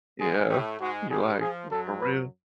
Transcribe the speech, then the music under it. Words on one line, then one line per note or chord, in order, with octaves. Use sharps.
Yeah. You're, like, for real?
G#2 G#3 G#4
A2 A3 G4
G#2 G#3 F#4
G2 G3 G#4
F3 G#4
F#2 F#3 A4
B4